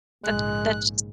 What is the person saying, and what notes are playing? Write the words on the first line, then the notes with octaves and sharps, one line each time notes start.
That that's just
A#1 G#2 C#3 G#3 F#6